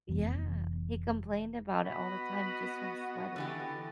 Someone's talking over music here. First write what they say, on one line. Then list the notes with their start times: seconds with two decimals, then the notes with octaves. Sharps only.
Yeah. He complained about it all the time just from sweating.
0.09 F1 E3 B3
1.85 B3 F#4 D#5 B5
3.36 D3 E3 G4 A4